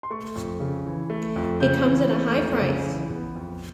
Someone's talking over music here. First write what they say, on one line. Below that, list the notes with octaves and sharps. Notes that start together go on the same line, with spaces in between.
It comes at a high price.
C6
A3 C#6
F2
C#3
E3
A3
F2
C#3 G6
E3
A3
F2
C#3
E3
B3
F2